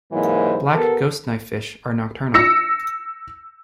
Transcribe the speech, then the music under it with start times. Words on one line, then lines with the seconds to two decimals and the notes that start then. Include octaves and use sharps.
Black ghost knife fish are nocturnal.
0.12 G#2 C3 E3 F#3 A#3
0.74 B3 G4 A4 A#4
2.34 E6 A#6 C#7